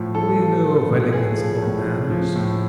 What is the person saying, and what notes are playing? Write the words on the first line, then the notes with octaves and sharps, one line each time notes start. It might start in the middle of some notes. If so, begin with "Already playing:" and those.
What do you know of elegance or manners!
Already playing: A2 F3
F3 A4
F3
F3
A2
A2 G#4
F3
A2
F3
F3
A2